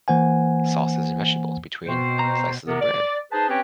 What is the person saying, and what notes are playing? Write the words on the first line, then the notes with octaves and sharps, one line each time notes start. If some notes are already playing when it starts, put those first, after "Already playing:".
sauces, and vegetables between slices of bread.
E3 A#3 C5 F#5 G#5
B2 C4 F#4 C5
A#5
C3 B3 A#4
D5
D#4 G#4 B4 C5 A5
C4 C#4 G4 B4 C#5 G5